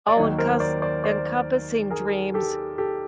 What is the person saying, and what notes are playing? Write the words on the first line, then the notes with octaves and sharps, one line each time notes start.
all-encus encompassing dreams
D5
D#2 D#3 F#3 C#5 D#5
A#4 C5
C5 D5
C5 D5
C5 D5
G#4 A#4
G4 A4
G4 A4